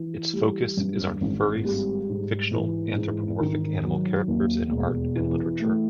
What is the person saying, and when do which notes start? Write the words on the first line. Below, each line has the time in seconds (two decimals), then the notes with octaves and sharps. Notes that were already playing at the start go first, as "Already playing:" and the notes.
Its focus is on furries: fictional anthropomorphic animal characters in art and literature.
Already playing: E3
0.33 G3
0.77 G2
1.21 G#1
1.64 G3
2.09 G#2
2.53 E3
2.96 G#2
3.41 D#3
3.84 F#3
4.28 D#2
4.71 E1
5.16 E3
5.60 A3